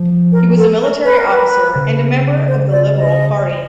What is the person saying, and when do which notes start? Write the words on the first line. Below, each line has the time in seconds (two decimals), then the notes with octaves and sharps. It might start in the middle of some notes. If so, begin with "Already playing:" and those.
He was a military officer and a member of the Liberal Party.
Already playing: F3
0.32 A#4
0.56 A4
0.80 A#4
1.04 B4
1.18 A#4
1.32 B4
1.75 C#3
2.48 C5
2.71 D5
2.96 D#5